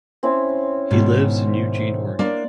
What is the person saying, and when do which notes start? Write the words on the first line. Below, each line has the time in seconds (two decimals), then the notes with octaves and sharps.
He lives in Eugene, Oregon.
0.23 C4 C#4 E4
0.91 G#2 B2 D#3
2.19 A#3 D4 D5